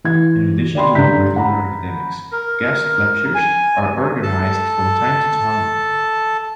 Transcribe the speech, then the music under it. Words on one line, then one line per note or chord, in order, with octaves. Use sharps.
In addition to the regular academics, guest lectures are organised from time to time.
E3 G#6
D5 G5 B5 C6
G2 D3 D5 A#5 G6 B6
F#5 A#5 B5
A#4
G#5
A4 A5